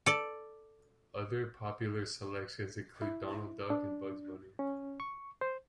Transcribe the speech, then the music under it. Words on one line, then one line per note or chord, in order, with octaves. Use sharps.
Other popular selections include Donald Duck and Bugs Bunny.
A4 D5
E4
D4
C#4
C#6
C5